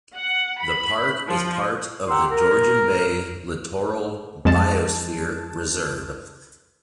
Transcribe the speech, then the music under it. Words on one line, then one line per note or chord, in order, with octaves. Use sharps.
The park is part of the Georgian Bay Littoral Biosphere Reserve.
F#5
B5
F3
G4 F#5 A#5 C6 E6
A#4
F2 G#3 A5